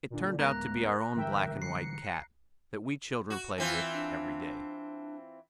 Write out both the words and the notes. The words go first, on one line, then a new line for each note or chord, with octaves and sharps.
It turned out to be our own black and white cat that we children played with every day.
A#2 D3
D1 G#3 B3 A#4 A#5 F#6 A#6
D3 E3 G3 A#4 E5 G5
C7 C#7
F#4
E3 C4 F4
D4